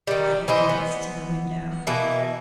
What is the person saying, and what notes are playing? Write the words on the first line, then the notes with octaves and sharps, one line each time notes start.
I advanced to the window.
D#3 G3
E3 D#4 C5
B3
B2 E3 A#3